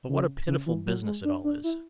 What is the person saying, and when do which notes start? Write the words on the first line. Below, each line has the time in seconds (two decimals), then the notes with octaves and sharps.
But what a pitiful business it all is!
0.09 C#3
0.47 C#3
0.66 E3
0.86 F#3
1.05 G#3
1.25 D4
1.44 D4
1.64 E4